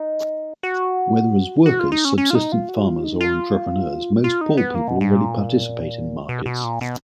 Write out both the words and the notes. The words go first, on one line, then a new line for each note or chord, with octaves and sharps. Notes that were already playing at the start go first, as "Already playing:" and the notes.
Whether as workers, subsistence farmers or entrepreneurs, most poor people already participate in markets.
Already playing: D#4
F#4
F#4
F4
D#4
C#4
C#4
F4
D#4
F4
F#4
F4
D#4
F4
F4
D#4
B3
A#3
B2
G#2
A#2
B2
B2
A#2
B2